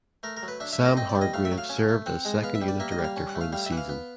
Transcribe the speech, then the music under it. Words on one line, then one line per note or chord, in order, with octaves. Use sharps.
Sam Hargrave served as second unit director for the season.
A3 A#4
A#4
F#3
B4
D4 E5
E5
A3
D#5
C4 D#5
D5
G3
D#5
A3 F5
E5
F#3
F5
C#4
A3
C4 F#5
G#3
B3 F5
E5
G3
D5
A#3 E5
D#5
G3
F5
C#4
F#5
A3
F5
G3 F5
E5
E3 F#5
F5
B3